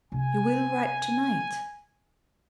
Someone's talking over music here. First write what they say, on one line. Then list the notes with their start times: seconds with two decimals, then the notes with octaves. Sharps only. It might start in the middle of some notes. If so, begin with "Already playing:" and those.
'You will write to-night?
0.12 C3 C#4 G#5